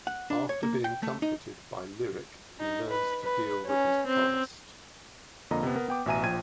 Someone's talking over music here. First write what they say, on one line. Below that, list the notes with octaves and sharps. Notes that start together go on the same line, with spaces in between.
After being comforted by Lyric, he learns to deal with his past.
F#5
D4
C#5
A#3
G5
A3
D#4
D#4
B4
B4
C#4
C4
F2 D3 A#3 D#5 A#5
C3 B3
B3 A#4
B3 G5 D6
A1 B2 E5 G#5 A#5 D#7
A#1 F3 G5 G#6 D#7